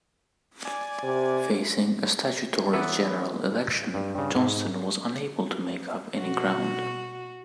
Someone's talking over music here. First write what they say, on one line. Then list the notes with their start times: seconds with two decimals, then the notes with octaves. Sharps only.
Facing a statutory general election, Johnston was unable to make up any ground.
0.65 D5 G#5
1.03 C3
2.73 E3 F#3 B3 E4 A4 B4
3.94 G2
4.15 G2 C#3
4.35 G#2
6.17 B2 F#4